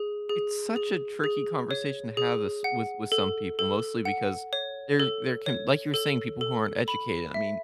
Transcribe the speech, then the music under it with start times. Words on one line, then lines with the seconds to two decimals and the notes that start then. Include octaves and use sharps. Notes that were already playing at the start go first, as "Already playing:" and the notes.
it's such a tricky conversation to have this with with some people, mostly because there there can like, you were saying, people who aren't educated, I mean,
Already playing: G#4
0.29 G#4
0.76 G#4
1.24 G#4
1.71 C#5
2.17 G#4
2.64 F#5
3.12 A4
3.59 A4
4.05 F#5
4.53 C#5
5.00 A4
5.46 C#5
5.94 A4
6.41 A4
6.88 B5
7.34 E5